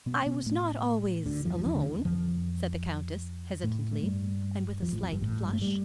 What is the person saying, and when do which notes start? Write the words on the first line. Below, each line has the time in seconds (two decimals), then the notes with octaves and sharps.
"I was not always alone," said the Countess, hesitatingly, and with a slight flush.
0.06 B2 B3
0.26 B2 B3
0.46 A2 A3
1.26 D2 D3
1.45 F2 F3
1.55 F3
1.65 E2 E3
1.75 D2 D3
2.05 F2 F3
3.63 A2 A3
3.93 A3
4.03 G2 G3
4.82 F2 F3
4.92 A1 A2
5.03 F2
5.12 G1 G2
5.22 A1 A2
5.42 G2 G3
5.53 A3
5.62 G3